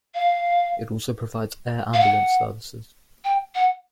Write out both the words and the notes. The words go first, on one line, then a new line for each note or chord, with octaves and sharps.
It also provides air ambulance services.
F5
F5
F#5
G5
F#5